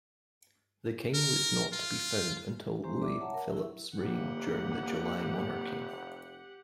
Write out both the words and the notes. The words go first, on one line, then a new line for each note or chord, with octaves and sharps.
This king was not to be found until Louis-Philippe's reign during the July Monarchy.
A#4
F4
G#3 C#4 G4 C5 A#5 C6
G3 D5 E5 D6
C#5 E5 F#5 A5 A#5
A#4
E4 E5
F1 A#3 G4 F#5